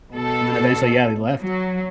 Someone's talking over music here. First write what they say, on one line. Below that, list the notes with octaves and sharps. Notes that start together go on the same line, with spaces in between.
and then eventually, yeah, they left.
B2 A4
F#3